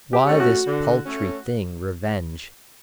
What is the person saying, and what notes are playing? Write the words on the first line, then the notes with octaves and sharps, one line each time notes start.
Why this paltry thing, revenge?
G4
A3 C#4
F#4
D3
A3 C#4